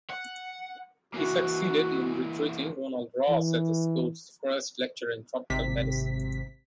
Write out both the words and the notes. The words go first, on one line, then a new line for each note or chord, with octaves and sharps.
He succeeded in recruiting Ronald Ross as the school's first lecturer in Tropical Medicine.
F#5
E3 A#3 F#4
E3
G#1 C3 B6